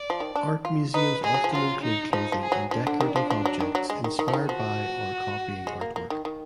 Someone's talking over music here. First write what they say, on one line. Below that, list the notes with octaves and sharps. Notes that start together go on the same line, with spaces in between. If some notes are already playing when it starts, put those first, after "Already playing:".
Art museums often include clothing and decorative objects inspired by or copying artwork.
Already playing: D5
F3
D#3
D4
F4
D#4 B4
G#3 G#4
F#3
F3
F#3 F4
D#4
F3 D#4
F3
G#4
F#3
F3 D4
D3
D#3
F3
F3
F#3
D#3
F#3
G#3
D#3
D#3
F3
D#3
F3 F#4
G#3
A#3
A#3
D#3
D#3